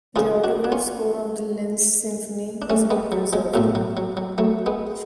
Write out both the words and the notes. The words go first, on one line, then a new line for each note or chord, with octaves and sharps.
The autograph score of the "Linz Symphony" was not preserved.
C#2 C#3 F3 F4 G#4
D4 F#4
D4
C#4 F4
D4
A3 C#4
G#3 B3
F#3
F3 G#3
B1 A2 F3 F#3
F#3
F#3
F#3
F#3 A3
G#3 B3